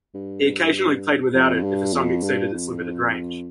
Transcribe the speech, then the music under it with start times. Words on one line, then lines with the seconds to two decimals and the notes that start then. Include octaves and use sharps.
He occasionally played without it, if a song exceeded its limited range.
0.14 G2
1.34 F2
1.63 G2
1.93 F2
2.23 G2
2.53 F2